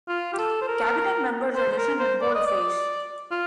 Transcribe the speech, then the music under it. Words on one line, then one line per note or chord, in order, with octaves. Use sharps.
Cabinet members are listed in bold face.
F4
G4
A4
C5
A#4
C5
C5
A#4
C5
D5
D#5
D5
F4